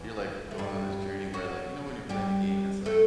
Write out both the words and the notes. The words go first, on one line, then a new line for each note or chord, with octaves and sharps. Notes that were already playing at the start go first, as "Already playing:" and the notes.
you're, like, going on this journey where, like you know, when you're playing a game and it's, like,
Already playing: E2 E3
A3
G2 G3
F#3 F#4
G3 G4
A3 A4